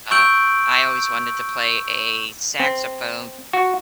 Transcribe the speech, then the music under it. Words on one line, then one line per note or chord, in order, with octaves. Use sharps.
Uh, I always wanted to play a saxophone,
C#6 E6 G6 D7 F#7
C4
F#4